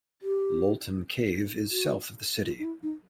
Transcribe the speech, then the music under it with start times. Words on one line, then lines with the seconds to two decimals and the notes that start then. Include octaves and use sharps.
Loltun Cave is south of the city.
0.23 G4
1.71 F#4
2.46 F4
2.59 D#4
2.64 E4
2.83 D#4